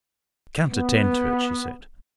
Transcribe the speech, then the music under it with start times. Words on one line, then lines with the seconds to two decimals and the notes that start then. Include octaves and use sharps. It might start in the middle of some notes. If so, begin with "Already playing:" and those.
"I can't attend to it," she said.
0.71 B3